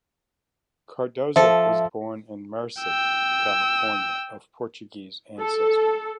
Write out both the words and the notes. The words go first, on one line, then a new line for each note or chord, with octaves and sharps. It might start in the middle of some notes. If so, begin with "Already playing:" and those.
Cardoza was born in Merced, California, of Portuguese ancestry.
F3 A4 E5
G5 E6
A4